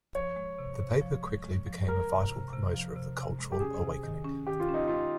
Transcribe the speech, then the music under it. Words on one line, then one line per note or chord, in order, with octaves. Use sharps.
The paper quickly became a vital promoter of the cultural awakening.
F3 C#5
G#3
C3
C3
F3
G#3
G#3
F3
G#3 A#4
C3
C3
C3
F3
C3
C3
G#3
G4
C#4 G#4
C3
D#3
C#4
D#3 G4
F4
C#4
D#4
G#3 F4